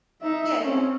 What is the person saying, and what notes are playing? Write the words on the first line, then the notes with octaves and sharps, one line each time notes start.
Yeah, yeah.
D#4 E5
C4 C#4